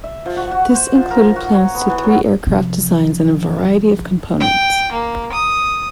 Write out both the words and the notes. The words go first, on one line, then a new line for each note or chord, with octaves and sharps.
This included plans to three aircraft designs and a variety of components.
E5
F3
F#4
F#4
C5
F3
A#4
F#4
C#5
B3
E3
F#3
C3 F3
G5
A#3
D#6